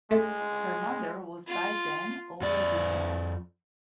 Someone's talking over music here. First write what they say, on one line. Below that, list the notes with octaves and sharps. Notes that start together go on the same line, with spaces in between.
Her mother was by then already dead.
G#3 A3
F4 C6
F2 D5